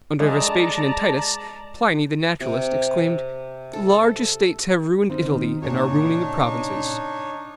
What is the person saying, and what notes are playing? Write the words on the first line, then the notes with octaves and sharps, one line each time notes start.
Under Vespasian and Titus, Pliny, the naturalist, exclaimed: "Large estates have ruined Italy, and are ruining the provinces."
G#3 D5 A5 A#5
C3
A4
D#3 C4 D#4
A#2 C#3 D4 D#4 F#4 C#5